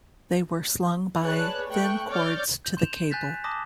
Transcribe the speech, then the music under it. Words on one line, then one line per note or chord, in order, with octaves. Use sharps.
They were slung by thin cords to the cable.
G#4 B4 C#5 D5 A5 F#6
A3 G5 C#6 F#6
C#5 D5 D6 F6 G6 A6
G6
C6 G6 E7 F7
G#5 F#6 G6 A6 B6
A5 C6 D6 D#6 A#6